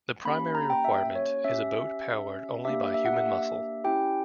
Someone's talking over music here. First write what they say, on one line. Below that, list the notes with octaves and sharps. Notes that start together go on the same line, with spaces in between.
The primary requirement is a boat powered only by human muscle.
A#3 C#4 G4 B5
B5
A#5
G5
E5
C#5
C#4 G4 E5
A#3 D4 G4 E5
E5
F#5
E5
C#4 E4 G4 G5